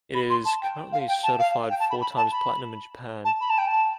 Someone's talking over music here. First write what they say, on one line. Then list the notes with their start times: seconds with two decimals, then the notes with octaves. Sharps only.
It is currently certified four times platinum in Japan.
0.14 B5
0.30 C6
0.45 A5
0.62 G5
0.92 F5
1.08 G5
1.23 A5
1.39 F5
1.70 G5
1.80 A5
1.90 B5
2.01 B5
2.16 A5
2.32 B5
3.25 A5
3.41 B5
3.50 A5
3.58 G5
3.67 A5